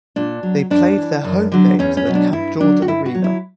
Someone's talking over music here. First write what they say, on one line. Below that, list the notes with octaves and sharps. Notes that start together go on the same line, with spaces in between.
They played their home games at Camp Jordan Arena.
A#2 D4
F#3
F#2 D4
E3
F#2
D3 F#3
E2 C#4
C#4
B2 F#3
D4
G2 E4
D3 F#3 D4
F#4
G2 E4
F#4
F#3
E4